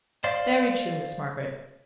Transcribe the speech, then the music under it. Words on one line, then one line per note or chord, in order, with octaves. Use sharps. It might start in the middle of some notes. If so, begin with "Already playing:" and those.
'Very true, Miss Margaret.
C5 D5 F5 C6